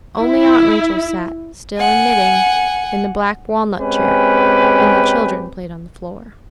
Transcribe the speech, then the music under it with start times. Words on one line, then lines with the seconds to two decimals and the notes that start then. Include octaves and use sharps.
Only Aunt Rachel sat, still and knitting, in the black walnut chair; and the children played on the floor.
0.19 E4
1.78 F#5 G#5
3.79 G#3 C4 C#4 G4 B4